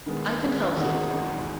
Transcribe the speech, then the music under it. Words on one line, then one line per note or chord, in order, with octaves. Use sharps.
I can help you.
D#3 G#3 B3
D#3 G#3 B3
E2 D#3 G#3 D#4 F#4